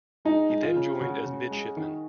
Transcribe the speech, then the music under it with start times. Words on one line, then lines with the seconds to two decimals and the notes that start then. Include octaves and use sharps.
He then joined as midshipman.
0.25 G#3 D#4
0.50 G#3
0.63 F4
0.76 C#3
1.00 C#3 F#4
1.26 C#3
1.51 G#3
1.77 D#3